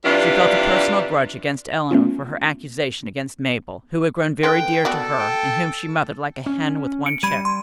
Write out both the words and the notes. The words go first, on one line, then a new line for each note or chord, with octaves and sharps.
She felt a personal grudge against Eleanor for her accusation against Mabel, who had grown very dear to her and whom she mothered like a hen with one chicken.
G2 C3 E3 G3 D4 F4
A3 B3 C#4 F4
D3 B4 C5 G5
B3 F#4 A4 D5
G5
C#4
C#7 D7
G3 B5 G#6 D#7
C6